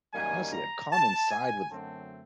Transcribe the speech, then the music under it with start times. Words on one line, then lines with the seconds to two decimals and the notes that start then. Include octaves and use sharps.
a, honestly, a common side with
0.13 F#2 D#3 G3 A#3 G#5
0.52 A#5
0.92 A5
1.31 G#5
1.70 F#2 D3 F#3 A3 C4 A5